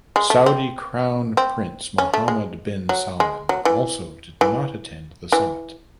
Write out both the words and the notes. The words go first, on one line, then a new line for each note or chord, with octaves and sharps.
Saudi crown prince Mohammed bin Salman also did not attend the summit.
G#3
A3
C4
C4
C#4
A3
G#3
F#3
G#3
F#3
E3
E3
E3